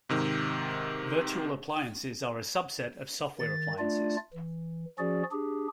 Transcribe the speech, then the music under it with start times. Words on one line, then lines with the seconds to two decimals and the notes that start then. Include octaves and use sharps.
Virtual appliances are a subset of software appliances.
0.09 G#2 C3 D#3
3.39 D#3 A6
3.79 A3 D4 F4 D5
4.33 E3
4.98 F3 C#4 F#4 G#4 D5
5.32 D4 G4 G#4